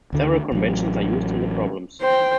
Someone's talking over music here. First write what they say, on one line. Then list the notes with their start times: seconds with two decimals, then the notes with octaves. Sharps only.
Several conventions are used in the problems.
0.13 D2 D3 D#3
0.52 A1 F#3
2.01 C5 G5